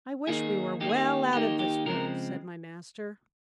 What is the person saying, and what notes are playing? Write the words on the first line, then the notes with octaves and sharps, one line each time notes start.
"I wish we were well out of this wood," said my master.
D#3 A#3 D#4 G#4
D#3 A#3 D#4 G4
G#4
G4
D#3 A#3 D#4 G4
G4
C#3 F3 G#3 C4 A#4